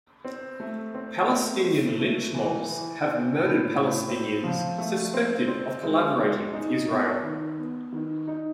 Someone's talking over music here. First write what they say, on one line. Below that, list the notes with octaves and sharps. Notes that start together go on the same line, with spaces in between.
Palestinian lynch mobs have murdered Palestinians suspected of collaborating with Israel.
C4
A3
C4
A3
C4
A3
E3
E3
C4
A2
A2
C4
F3
A3
C4
C4
G#3
G#3
D#4
B3
D#3
B3
D#3
D#4